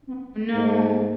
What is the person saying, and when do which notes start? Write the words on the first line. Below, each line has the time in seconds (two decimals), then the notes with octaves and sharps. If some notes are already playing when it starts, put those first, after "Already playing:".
Oh, no.
0.55 G#2